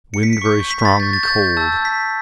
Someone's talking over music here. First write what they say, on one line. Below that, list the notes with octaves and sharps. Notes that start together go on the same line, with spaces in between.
Wind very strong and cold.
C#7
B6
C#7
C#6 G6
B6
A6
C#6 G6
A6
G6
A6
A5 E6 G6
B6